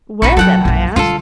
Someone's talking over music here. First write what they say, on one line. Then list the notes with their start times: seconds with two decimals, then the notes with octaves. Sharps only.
"Where then?" I asked.
0.22 A#1 D#4 B5 C#6
0.37 F#3 E4 A4 F#5 G5
0.65 A#1 F#2
0.96 D3 G3 F4 A4